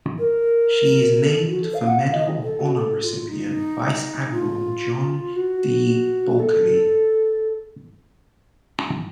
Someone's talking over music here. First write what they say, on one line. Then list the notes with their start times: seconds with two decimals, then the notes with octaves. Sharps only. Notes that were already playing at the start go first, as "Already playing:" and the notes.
She is named for Medal of Honor recipient Vice Admiral John D. Bulkeley.
0.19 A#4
1.22 A4
1.48 F#4
1.61 A4
1.74 F5
1.87 F#5
2.00 F5
2.13 D#5
2.43 A4
2.60 F#4
2.77 A4
3.03 F4
3.29 D#4
4.33 F4
5.36 F#4
6.39 A4